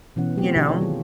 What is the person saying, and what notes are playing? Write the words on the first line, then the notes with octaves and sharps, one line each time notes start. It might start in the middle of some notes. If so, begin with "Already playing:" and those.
You know?
B2 E3 C#4 F#5
A3 C4 F#4 G4
B2 D3 E3 D4 G4
C#5
D#3 F4 G#4